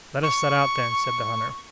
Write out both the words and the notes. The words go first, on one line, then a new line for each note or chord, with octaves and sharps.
"Let us set out, then!" said the hunter.
C#6